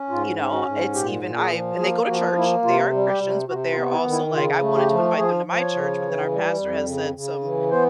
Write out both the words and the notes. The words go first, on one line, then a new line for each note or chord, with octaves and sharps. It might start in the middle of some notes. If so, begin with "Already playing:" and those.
you know, it's even I've and they go to church, they are Christians, but they're also like, "I wanted to invite them to my church, but then our pastor has said some
Already playing: C#4
G#2 F4
C#4
F#4
G#2
A#2 G4
A#2
G#4
F3
A#3 G#4
F3 F#4
A#3 E4
C3 F4
G3
G4
C3
C3 F#4
F4
B3
E4
D#3
E4
C#3 F4
A3
G4
F3
F3 G#4
F3
C#5
C#3
E3
G3
F2
C#3
C#3
E3
B3 C5